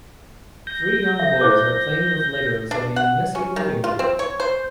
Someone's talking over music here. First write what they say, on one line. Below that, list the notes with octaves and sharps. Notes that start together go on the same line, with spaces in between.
Three young boys are playing with Legos in a messy living room.
G6 A#6
A4 E5
E4 C5 D6
D4
F#5
C#4
D#3
F4
C4
C#5
C5